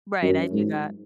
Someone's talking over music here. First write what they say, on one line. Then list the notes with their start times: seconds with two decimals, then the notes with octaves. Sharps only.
Right, I do that.
0.23 F#2
0.52 G#2